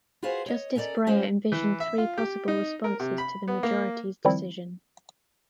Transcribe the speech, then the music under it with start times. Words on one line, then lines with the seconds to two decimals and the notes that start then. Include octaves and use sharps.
Justice Breyer envisioned three possible responses to the majority's decision.
0.23 F4 F#4 G#4 B4 C5 F5
0.46 C#5 D#5
0.75 C#4 A4 A#4 C5 D5 D#5
1.07 G#3 C#4 F4 C5
1.52 E3
1.80 E5
1.98 F4
2.18 G4
2.48 D#4
2.84 A#4
3.00 C3
3.18 B5
3.48 B3
3.63 A#3
4.25 D#3 F3 G3 C4 E4